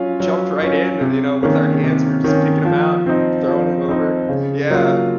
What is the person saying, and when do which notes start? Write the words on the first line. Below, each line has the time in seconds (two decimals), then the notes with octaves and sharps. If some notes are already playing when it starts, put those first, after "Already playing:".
jumped right in and, you know, with our hands, we were just picking 'em out and throwing 'em over. Yeah.
Already playing: F#3 C#4 F4
0.20 F#3
0.60 C#4 F4
1.01 C3
1.43 D#3 A#3 C#4
1.83 C3
2.24 D#3 A#3 C#4
2.65 F3
3.06 C4 D#4
3.47 F3
3.88 C4 D#4
4.29 C#3
4.70 F#3 A#3 F4